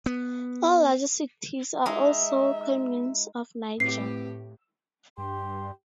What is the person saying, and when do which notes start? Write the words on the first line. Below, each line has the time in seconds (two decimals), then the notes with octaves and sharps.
All larger cities are also Communes of Niger.
0.06 B3
1.86 G#3 D#4 E5
3.80 A2 C4 G4 B4 C7
5.18 G2 G4 C6